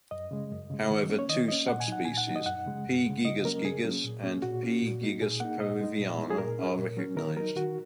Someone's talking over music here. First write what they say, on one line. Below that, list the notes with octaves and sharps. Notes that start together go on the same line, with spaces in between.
However two subspecies "P. gigas gigas" and "P. gigas peruviana" are recognised.
F#2 D#5
C#3 G#3
F#2
C#3 G#3
D#3
A#3 C#4
C#5
D#3 D#5
A#3 C#4 D#5
A#2 F#5
G#5
F#3 D#4 F#5
A#2 G#5
F#5
F#3 D#4
D#5
F#2 F#5
C#3 G#3
F#2
C#3 G#3
C#3 D#5
F#3 A#3 C#4 A#4
C#3 G#4
F#3 A#3 C#4
A#2
A#3 C#4
A#2 F#4
A#3 C#4
A#2
A#3 D#4
A#2 G#4
A#3 D#4 F#5
A#2 D#5
G#3 D#4
A#2
G#3 D#4
G#4
A#2 A#4
F#3 C#4
A#2
F#3 C#4
D#3 A#4
F#3 D#4 A#4
D#3 F#4